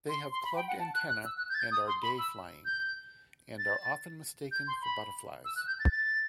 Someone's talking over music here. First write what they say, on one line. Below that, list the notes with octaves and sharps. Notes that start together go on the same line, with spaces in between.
They have clubbed antennae and are day flying, and are often mistaken for butterflies.
C6
C6
B5
G5
F#5
A5
F#6
F#6
E6
F#6
G6
A6
G6
D#6
C6
B5
E6
G6
A6
G6
C6
B5
E6
F#6
G6
A6
A6